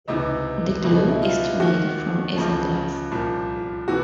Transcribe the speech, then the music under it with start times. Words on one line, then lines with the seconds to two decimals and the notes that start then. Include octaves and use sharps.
The glue is made from isinglass.
0.08 C#2 C3 E3 D#4
0.84 C#2 B2
0.94 D#4
1.09 E4
1.22 F4
1.60 D#2 D#3 F#4
2.36 C#2 C#3 F3
3.11 C2 A#2 F3
3.88 C3 E3 F#4